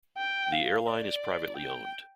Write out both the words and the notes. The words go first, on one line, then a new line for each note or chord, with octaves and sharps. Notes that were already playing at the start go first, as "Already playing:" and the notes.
The airline is privately owned.
G5
F5
D5
G5